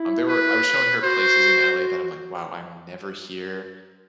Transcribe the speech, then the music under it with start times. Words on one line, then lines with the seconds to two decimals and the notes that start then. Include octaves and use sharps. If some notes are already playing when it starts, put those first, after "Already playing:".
um, there were I was showing her places in LA that I'm like, "Wow, I'm never here."
Already playing: E4
0.29 B4
1.03 F#4 C5